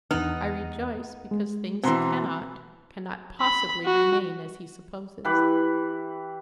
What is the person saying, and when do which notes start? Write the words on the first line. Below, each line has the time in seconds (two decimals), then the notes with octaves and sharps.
"I rejoice, because things cannot, cannot possibly remain as he supposes."
0.11 E2 B3 D#4 F6
1.31 G#3
1.83 B2 E3 C4 A#5 C6
3.41 B5
3.85 F#4
5.25 E3 G4 B4 B5